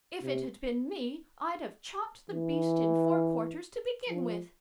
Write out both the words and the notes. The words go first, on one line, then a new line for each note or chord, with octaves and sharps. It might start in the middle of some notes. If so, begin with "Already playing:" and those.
If it had been me, I'd have chopped the beast in four quarters to begin with!
C3
E3
F3